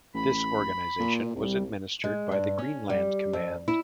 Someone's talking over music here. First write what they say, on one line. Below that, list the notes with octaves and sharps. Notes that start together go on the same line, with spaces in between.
This organization was administered by the Greenland Command.
A1 B5
A#2
C2 G3
G#3
G2
C#4
G3
F2
E4